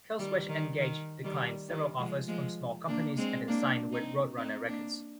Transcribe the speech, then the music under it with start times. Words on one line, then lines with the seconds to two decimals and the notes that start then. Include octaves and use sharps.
Killswitch Engage declined several offers from small companies and then signed with Roadrunner Records.
0.19 D#3 G3
0.49 D#3
0.79 D#3
1.23 D#3 G3
1.68 D#3 G3
1.98 F3 G#3
2.28 F3 G#3
2.88 A#3 D4
3.17 G#3 C4
3.48 A#3 D4
3.92 C4 D#4
4.37 C4 D#4
4.66 A#3 D4